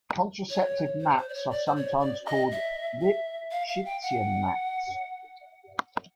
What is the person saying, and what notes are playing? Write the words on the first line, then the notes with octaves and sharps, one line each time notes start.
Contractive maps are sometimes called Lipschitzian maps.
C#5
C5
C5
D5
C#5
D5
C5
C#5
D5
D#5
E5
E5
F5
F5
G5
F#5